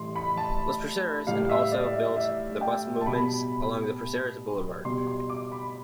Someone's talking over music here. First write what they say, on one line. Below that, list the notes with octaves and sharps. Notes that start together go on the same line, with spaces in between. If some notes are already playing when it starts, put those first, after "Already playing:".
Los Proceres and also built the bust monuments along the Proceres Boulevard.
Already playing: A2 E3 G3 C6
B5
A5
A2 G3 F5
E5
D5
E5
E5
G5
A5
B2 G3 B5
B2 G3 C6
C6
D6
B5